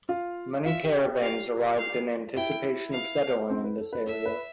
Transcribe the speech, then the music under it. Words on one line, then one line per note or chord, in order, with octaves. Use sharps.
Many caravans arrived in anticipation of settling in this area.
F4 F5
F4 E5 F5
G4 G5
G4 G5
G4 F5 G5
F5
E4 E5 G5
F5
C4 C5
B4
A4
B4
A4 E5
B4